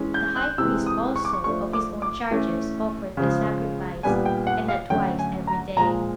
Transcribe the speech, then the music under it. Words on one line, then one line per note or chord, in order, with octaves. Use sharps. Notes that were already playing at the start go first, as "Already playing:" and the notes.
The high priest also, of his own charges, offered a sacrifice, and that twice every day.
Already playing: E3 G#3 C#4
G6
F#6
C3 E3 G#3 E6
D#6
C#6
D6
C#6
F3 A3 D4 C#6
D6
D6
E3 A3 C#4
C#3 F3 G#3
A#2 G3 B3 D4 G#5
G5
F#5
F5
D3 F#3 A3 C#4 G5
G#5
A#5
A#2 F3 G#3 A#5